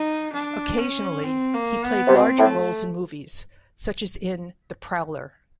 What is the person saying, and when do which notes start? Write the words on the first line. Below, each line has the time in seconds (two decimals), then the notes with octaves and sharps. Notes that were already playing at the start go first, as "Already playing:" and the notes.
Occasionally he played larger roles in movies, such as in "The Prowler".
Already playing: D#4
0.33 D4
0.78 C#4
1.24 C4
1.54 A#3
1.85 B3
2.07 C3
2.15 B2 C4
2.38 A2
2.45 A3